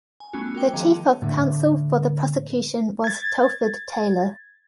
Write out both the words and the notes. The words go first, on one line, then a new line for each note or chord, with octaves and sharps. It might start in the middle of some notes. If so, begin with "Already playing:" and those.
The Chief of Counsel for the Prosecution was Telford Taylor.
G#5
G3 A3 B3 C#4 F4 F#4
F#4 A#4 G5 D6
D#3 F3 G#4 A5
A2 D3
G#6 A6